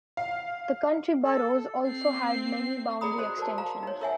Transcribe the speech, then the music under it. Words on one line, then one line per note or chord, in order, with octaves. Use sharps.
The county boroughs also had many boundary extensions.
F5
A4
C4 C7
G#4 D5 A#5 B5 D#6
F#4 C5 D#5
F#4 A#4 D5 A5
F5 A#5
D#4 C#5
A#4 C#5 E5 F#5 G#5